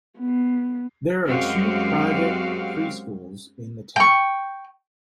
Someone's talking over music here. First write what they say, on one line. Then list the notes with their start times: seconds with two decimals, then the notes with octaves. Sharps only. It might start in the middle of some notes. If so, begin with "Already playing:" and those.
There are two private pre-schools in the town.
0.18 B3
1.26 F#2 G#3 C4 F#4 G4 F5
3.96 G5 C#6